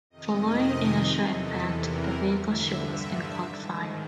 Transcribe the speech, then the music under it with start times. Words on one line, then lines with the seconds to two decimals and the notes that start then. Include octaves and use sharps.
Following initial impact the vehicle she was in caught fire.
0.10 F2 C3 D#3 D#5
1.22 E2 C3 E3 A4
1.79 A#4
2.35 G2 D3 E5
2.91 E5
3.19 E5
3.47 G#2 D#3